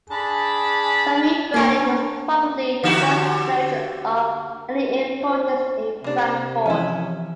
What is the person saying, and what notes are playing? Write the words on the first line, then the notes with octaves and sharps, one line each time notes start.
Samuel Brady was probably the first merchant of any importance in Frankfort.
D4 G#4 A5 B5
A#3 D4 A#4 C#5
D3 F#4 G4
C4 F4 F#4 C5 D5 E5
C3 A#3 D4
E3 F3 C#4 E4